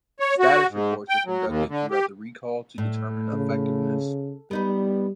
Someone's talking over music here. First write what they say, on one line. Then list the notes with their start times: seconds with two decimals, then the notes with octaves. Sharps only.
Status reports are conducted throughout the recall to determine effectiveness.
0.20 C#5
0.39 F#4
0.70 G#2
1.09 G5
1.26 F#3
1.46 D#2
1.69 D3
1.91 G4
2.78 A2
3.33 C#3
4.51 G3 B3 D#4 B4